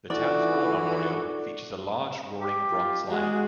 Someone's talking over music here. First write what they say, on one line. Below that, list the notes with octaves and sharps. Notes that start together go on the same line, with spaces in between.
The town's war memorial features a large roaring bronze lion.
E3 D#4 F4 F#4 A4 D5
G4
F4
G#3 F#4 G#4